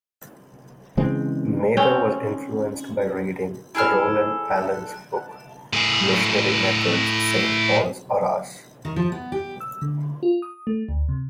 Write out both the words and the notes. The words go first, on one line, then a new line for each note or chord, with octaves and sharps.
Mather was influenced by reading Roland Allen's book, Missionary Methods: Saint Paul's or Ours?
C#3 E3 G#3 C4
C4 C#4 G5
E4 G#4 A4 F6
A2 G#4
D#3
F3
B3
G4
E6
D3
F4
D#6
A3
D2
C3